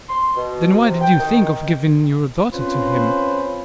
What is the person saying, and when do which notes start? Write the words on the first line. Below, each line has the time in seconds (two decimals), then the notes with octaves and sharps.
"Then, why did you think of giving your daughter to him?"
0.09 C6
0.36 B2
0.83 C3
1.01 G5
1.19 D#3
2.52 C4 C#4 F4 B4 C5